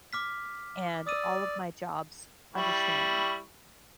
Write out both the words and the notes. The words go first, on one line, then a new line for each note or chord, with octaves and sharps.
and all of my jobs understand me,
D6 F6 B6
D5 D#6 E6 D#7
G3 E4 C#6